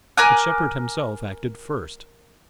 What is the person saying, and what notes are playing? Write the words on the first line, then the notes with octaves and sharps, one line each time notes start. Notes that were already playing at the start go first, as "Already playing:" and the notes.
But Shepard himself acted first.
A#4 G#5 D6 F#6